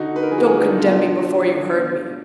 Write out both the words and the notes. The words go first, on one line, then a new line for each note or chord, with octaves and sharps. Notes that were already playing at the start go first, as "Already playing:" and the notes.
Don't condemn me before you've heard me.
Already playing: D3 D#4 F#4
B4
A#4
F3 G#4
F#4 A#4
G#4 B4
D4
D#4
B2 D4 F4
F#3
B2